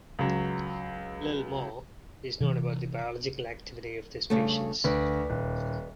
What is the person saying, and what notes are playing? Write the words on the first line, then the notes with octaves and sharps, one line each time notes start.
Little more is known about the biological activity of this species.
C#2 F#3
C3 E3
G2 C#3 A3
D2 B4 D5
D#1